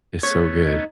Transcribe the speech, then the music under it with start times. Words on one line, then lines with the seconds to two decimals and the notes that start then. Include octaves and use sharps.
it's so good.
0.23 A3 B3 C#4 C#5
0.62 D#4